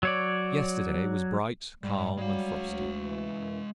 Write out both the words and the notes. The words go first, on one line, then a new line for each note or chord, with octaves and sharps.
Yesterday was bright, calm, and frosty.
F#3 C#5 D5
G#2 G3
F#3 G#3 F5
D2
E3
F#2